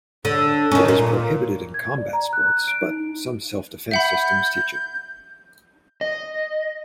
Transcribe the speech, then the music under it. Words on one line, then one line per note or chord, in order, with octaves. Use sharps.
It is prohibited in combat sports, but some self-defense systems teach it.
D3
D#3 C#4
A#2
G#6
D5
A#5
F#6
D7
D#4
E5 F#5 B5 G6
D#5